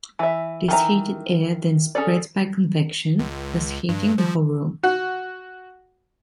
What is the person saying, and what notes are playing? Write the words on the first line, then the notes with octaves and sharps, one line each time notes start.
This heated air then spreads by convection, thus heating the whole room.
E3 E5
D#3 E3 A#5
C#4 G#4 A4 D5
C#2
G2
F3
F#4